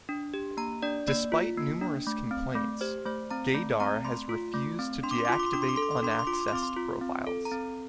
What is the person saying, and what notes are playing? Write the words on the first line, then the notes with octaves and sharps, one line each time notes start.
Despite numerous complaints, Gaydar has refused to deactivate unaccessed profiles.
D4
G4
A#3 A#5
D4 D5
A#3 D5
F4
A#3
D4
A3
C4
A3
G4 C5
A3 C5
C4 A#5
A3
C4 A#5
A3 C6
F4
A3
C4
D4 C6
D6
C6
D6
F4 C6
D6
C6
D4 D6
C6
D6
A4 C6
D6
C6
D6
D4 C6
D6
C6
F4 D6
C6
D6
C6
C4 D6
C6
F4
C4
A4
A#5
C4